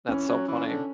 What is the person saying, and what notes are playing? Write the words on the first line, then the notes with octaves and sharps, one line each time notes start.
that's so funny.
E3 C#4
F#3
E3
D3